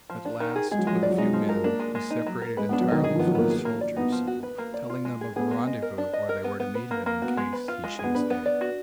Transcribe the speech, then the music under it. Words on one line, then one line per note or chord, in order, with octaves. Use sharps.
At last, with a few men, he separated entirely from his soldiers, telling them of a rendezvous where they were to meet him in case he should escape.
F3
D4
D#3
G#4
G#3 G#4
F#3
F3 G#3
F#3
D5
F#3
G#3 D#4
F3
A#4
A#3 D4
G#3
G#3
D#4
F#3
A#4
G#3 B4
B3
D4
F#3
D#3 D#5
D#3 G#4
F3
B3
F#3
A#3 B3
G#4
A#3
D5
B3 D#4
F3
F#4
B4
A#3
D5
F4
G#3
G#4
B3 G#4
G#3
D#5
A#4
D4
D#5
A#4
B3
B3
B4
A#3
A#3
B3 F#4
G#3
B4
F4
G#3
B3 G#4
D4 B4
B3
D5
F#4